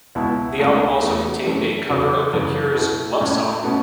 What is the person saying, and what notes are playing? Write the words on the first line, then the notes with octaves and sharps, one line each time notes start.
The album also contained a cover of The Cure's "Lovesong".
C#2 B2 B3 E4
C#2 B2 A3 C#4
E2 E3 A3
F#2 E3 A3 C#4
E2 C#3 F#3 B3
F#2 C#3 E3
B2 B3 E4
A2 A3 C#4 E4
B2 A3 C#4